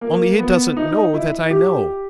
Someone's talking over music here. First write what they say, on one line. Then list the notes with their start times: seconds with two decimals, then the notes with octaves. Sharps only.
Only he doesn't know that I know.
0.01 A#3
0.39 B3
0.77 D#4
1.14 E4
1.50 G4